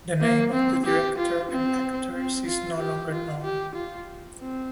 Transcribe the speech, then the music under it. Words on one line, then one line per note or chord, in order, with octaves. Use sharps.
The name of the director and actors is no longer known.
A#3
C4
G4
F4
C4
C4
F4
G4
F4
G4
F4
C4